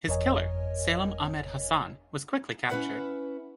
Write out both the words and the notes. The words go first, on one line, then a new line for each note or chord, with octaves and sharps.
His killer, Salem Ahmed Hassan, was quickly captured.
G1 F2 A#4 C#5 D#5 G#5
C#4 E4 G#4 B4 E5 F#5